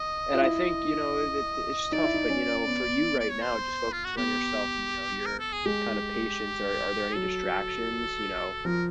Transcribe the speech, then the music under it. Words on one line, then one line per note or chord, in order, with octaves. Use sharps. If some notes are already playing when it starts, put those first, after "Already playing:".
And I think, you know, it it it's tough, but you know, for you right now, just focusing on yourself and, you know, your kind of patience, are are there any distractions, you know,
Already playing: D#5
F4
E4 D#5
D#4 D5
E4
D#4
C#4
B3
D5
C#5
C5
F4
F#4
B3 G4
A#4
A4
G#4
G#3 G4
F#3 A4
F3 A#4